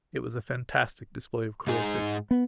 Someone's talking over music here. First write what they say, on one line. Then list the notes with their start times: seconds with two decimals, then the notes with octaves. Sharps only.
It was a fantastic display of cruelty.
1.67 G#2 D#4 G#4
2.31 B3